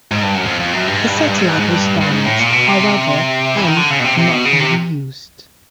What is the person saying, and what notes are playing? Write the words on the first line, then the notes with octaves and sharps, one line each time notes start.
The satellite was damaged, however, and could not be reused.
G#2
G2
F#2
F2
F2
F#2
G2
G#2
G2
G#2
G2
G#2
G2
G#2
G2
G2
G#2
A2
A#2
B2
C3
E3
D#3
D3
C#3
B2
C3
C3
B2
C#3
C3